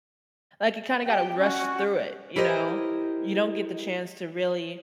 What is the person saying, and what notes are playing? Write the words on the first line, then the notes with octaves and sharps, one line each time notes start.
Like, you kinda gotta rush through it, you know? You don't get the chance to really
G4 G5
C#4 F#4
E4 G4 A#4 C5 D#5